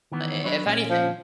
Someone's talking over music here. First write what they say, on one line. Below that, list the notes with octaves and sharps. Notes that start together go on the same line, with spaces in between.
I if anything.
D#3 E3 B3
F#3 D4 B4
A#2 C#4
F3